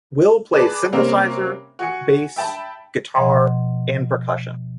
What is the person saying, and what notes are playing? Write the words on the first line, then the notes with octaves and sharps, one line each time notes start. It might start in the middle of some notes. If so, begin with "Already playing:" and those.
Will plays synthesizer, bass, guitar and percussion.
G#4 B4 D5 A5 B5
C3 G3 A#3 C4 C#4
F#4 G#5 C#7
E5 G5 A5 B5
B2 F3 D#5 F#5 C6 G#6